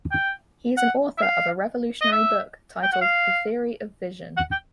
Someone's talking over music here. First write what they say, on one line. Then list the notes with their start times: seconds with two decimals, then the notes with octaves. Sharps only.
He is an author of a revolutionary book titled The theory of vision.
0.12 G5
0.77 F#5
1.18 E5
1.22 F5
2.01 D#5
2.12 E5
2.83 G5
2.92 F#5
3.01 F5
4.37 F#5
4.51 G5